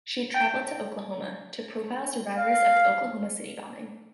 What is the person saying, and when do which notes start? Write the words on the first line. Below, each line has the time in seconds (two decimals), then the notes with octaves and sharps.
She traveled to Oklahoma to profile survivors of the Oklahoma City bombing.
0.34 G5
2.38 F5